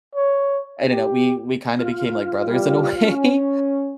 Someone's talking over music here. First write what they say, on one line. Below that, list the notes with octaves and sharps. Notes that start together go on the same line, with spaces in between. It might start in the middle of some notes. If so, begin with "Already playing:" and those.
I don't know, we we kinda became like brothers in a way,
C#5
G4
F4
A#2 E3 G3
C#4